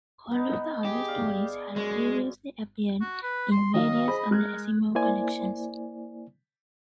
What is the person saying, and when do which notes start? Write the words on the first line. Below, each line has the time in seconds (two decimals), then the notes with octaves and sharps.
All of the other stories had previously appeared in various other Asimov collections.
0.31 B3 D#4
0.85 G4 G#4
1.08 D5 F5
1.76 F#2 G#3
3.02 F#4
3.23 B4
3.51 C6
3.74 D#3 F#3 D#5 F5
4.08 G#4 C5 B5
4.31 G#3 A#4 F#6 G#6
4.95 A#3 E4 C5 D5 G#5